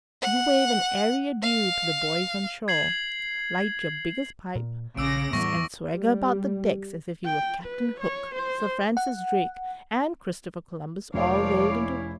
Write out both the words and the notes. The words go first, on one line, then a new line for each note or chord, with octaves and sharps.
You wave an airy adieu to the boys on shore, light your biggest pipe, and swagger about the deck as if you were Captain Cook, Sir Francis Drake, and Christopher Columbus all rolled into one.
F#5
F5
G#6 C7 F#7
A#2
A#1 C#3 D6 E6 A#6 D7
E2 A2 G3 C#6 A#6
G3
G5
B4
C#5
C5
F#5
F1 A#2 F3 C#5 D5 E5 F5
C#4 E4